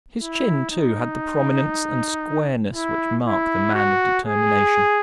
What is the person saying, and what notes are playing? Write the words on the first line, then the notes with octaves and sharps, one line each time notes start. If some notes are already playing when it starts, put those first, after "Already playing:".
His chin, too, had the prominence and squareness which mark the man of determination.
E4
D#4
E4
E4
F#4
G#4